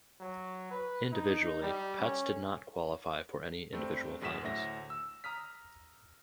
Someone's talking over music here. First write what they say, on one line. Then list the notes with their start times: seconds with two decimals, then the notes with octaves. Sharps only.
Individually Petz did not qualify for any individual finals.
0.20 F#3
0.71 B4
1.12 D#4
1.62 G3
1.99 C#4
3.73 G2 A3 C4
4.21 A1 F#2 G#4 B6 E7
4.44 D2 A2 E5 A#6
4.90 E6
5.24 A#5 D#6 F6 B6